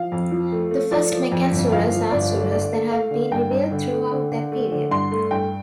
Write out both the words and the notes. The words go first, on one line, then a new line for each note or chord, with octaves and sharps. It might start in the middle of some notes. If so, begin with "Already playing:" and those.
The First Meccan surahs are surahs that have been revealed throughout that period.
Already playing: F3 F5
F2
F3
A3
A3
F3 D5
F3
F2
G1
F3 F5
F3
G1 D5
A3
D3 D5
A3
A3 F5
D3
G2 G5
G2
D3
A3
D3
D3
A3
D3
G2 C6
A3
G2 G5